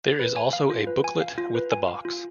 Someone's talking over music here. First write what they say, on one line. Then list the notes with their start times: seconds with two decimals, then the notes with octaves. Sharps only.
There is also a booklet with the box.
0.19 B4
0.36 G#5
0.53 F5
0.70 F4
0.87 B4
1.04 G#5
1.21 F5
1.38 F4
1.55 B4
1.72 G#5
1.88 F5
2.05 F4